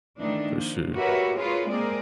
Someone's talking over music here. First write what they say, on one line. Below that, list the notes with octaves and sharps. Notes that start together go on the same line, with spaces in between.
For sure.
D#3 E3 A3 D4 D#4
F3 A#3
F#4 G4 A#4 B4 C#5 E5
F4 F#4 G#4 A#4 B4 C#5
G#3 A#3 C4 G#4 A#4 D5